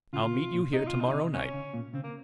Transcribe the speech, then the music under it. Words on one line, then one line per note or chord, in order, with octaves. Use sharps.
I'll meet you here to-morrow night.
C#3 F4
C3
A#2
C3 D#4
F4
C3
D#4
C#3
C3
C3 C#4
C#3
A#2
C#3 C4
A#3